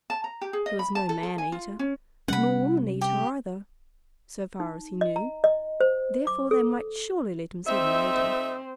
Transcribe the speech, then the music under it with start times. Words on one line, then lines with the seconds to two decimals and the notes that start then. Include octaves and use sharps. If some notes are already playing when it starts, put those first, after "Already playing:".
He was no man-eater, nor woman-eater either, so far as he knew; therefore they might surely let him see the maiden.
0.10 A5
0.24 A#5
0.41 G4
0.53 G#4
0.66 D#5
0.79 B5
0.95 A5
1.09 A4
1.23 A4
1.38 G#5
1.52 F4
1.79 C#4
2.28 C3 G3 C#4 F#5 B5
3.01 G4
4.60 D#4
5.01 D#5
5.16 A#5
5.44 D#5
5.80 C5
6.27 D6
6.51 A4
7.67 F2 C4 D#4 E5